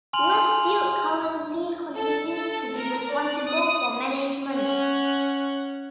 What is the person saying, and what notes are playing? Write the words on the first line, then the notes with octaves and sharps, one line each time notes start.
Westfield currently continues to be responsible for management.
G#5 C6 F6 F7 F#7
A4
A4
A#4
D5
D#6
C#4 F#5